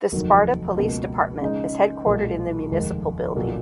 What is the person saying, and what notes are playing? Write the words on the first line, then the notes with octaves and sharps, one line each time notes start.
The Sparta Police Department is headquartered in the Municipal Building.
F1 D#2 D#3 F#3
C#2 B2 A#3
C#3 G#3 D#4
B1 A#2 G#3
F1 D#2 D#3 G#3
B1 A#2 F#3